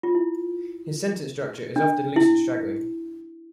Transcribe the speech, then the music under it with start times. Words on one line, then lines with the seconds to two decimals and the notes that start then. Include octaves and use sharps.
His sentence structure is often loose and straggling.
0.03 F4
0.15 E4
1.76 D4
2.16 E4